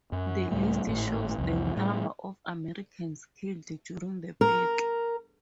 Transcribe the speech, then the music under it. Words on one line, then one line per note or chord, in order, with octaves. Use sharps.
This list shows the number of Americans killed during the battle.
F#2
C#2 A2 G3 A3
G#1 A2
C2 F2
A2 G3
A#4